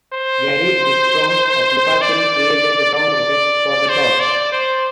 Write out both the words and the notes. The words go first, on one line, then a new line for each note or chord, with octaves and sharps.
Gary Rydstrom of Lucasfilm created the sound effects for the short.
C5
D5
D5
C5
D5
C5